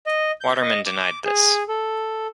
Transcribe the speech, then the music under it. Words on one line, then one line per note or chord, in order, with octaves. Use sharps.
Waterman denied this.
D#5
G6
D#5
D6
G#4
A4